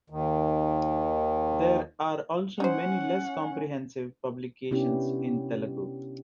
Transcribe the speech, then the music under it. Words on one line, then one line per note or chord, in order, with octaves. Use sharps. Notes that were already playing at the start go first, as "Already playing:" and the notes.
There are also many less comprehensive publications in Telugu.
D#2 D#3
C#4 D#4 C5 F#5
C3 B3 C#4 D4 E4 G4